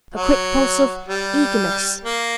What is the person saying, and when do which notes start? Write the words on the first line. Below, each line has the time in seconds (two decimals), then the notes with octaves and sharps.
A quick pulse of--eagerness?
0.14 F#3
1.08 G3
2.04 A#3